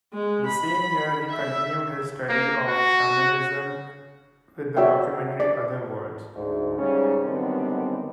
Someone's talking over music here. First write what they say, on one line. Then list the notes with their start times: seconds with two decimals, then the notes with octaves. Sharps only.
The same year, he continued his study of shamanism with the documentary "Other Worlds".
0.13 G#3
0.45 B5
1.30 E5
2.29 A#3
2.68 F#4
4.77 F#4 C#5 D5 E5 G5
5.40 D5
6.34 D2 G#2
6.78 G#2 C#3 G3 C#4
7.23 F#2 D3 D#3 G3 B3 C4